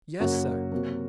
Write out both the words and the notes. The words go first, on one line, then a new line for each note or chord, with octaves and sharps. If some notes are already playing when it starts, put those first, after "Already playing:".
"Yes, sir."
F#2 C#3 F#3 A#3 F#4
C3 F#3 A#3